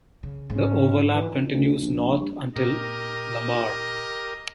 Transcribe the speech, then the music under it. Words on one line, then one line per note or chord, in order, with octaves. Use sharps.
The overlap continues north until Lamar.
C#3
G#2 C#4
E3
D2
A#1
G2
A#2 G4 A#4 D#5